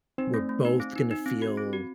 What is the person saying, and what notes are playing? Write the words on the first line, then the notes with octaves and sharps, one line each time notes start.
we're both gonna feel
C4 D#4
A3
A3
D#4
C4
D#4
D#4
C4
F#4
C4
F#4